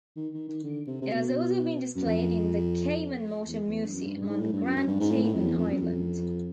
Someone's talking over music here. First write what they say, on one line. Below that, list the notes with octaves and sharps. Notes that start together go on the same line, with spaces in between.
It has also been displayed in the Cayman Motor Museum on Grand Cayman Island.
D#3
D#3
D#3
D3
C3
C3
B2
F#2
F2
E2
E2
G2
F#2
G2
G2
G#2
A2
G2
F#2
F#2
G2
G#2
A2
A2
F2
E2
F2
F#2
F2